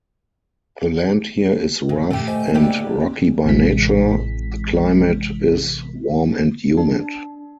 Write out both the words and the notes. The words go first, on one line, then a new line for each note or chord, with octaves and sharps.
The land here is rough and rocky by nature.The climate is warm and humid.
G2
F#2 A#2 D#3 A3 G4
C5 D#5 G#5
D2 D3 A#3 G4
A1 C3 E3 G#3 B6
D4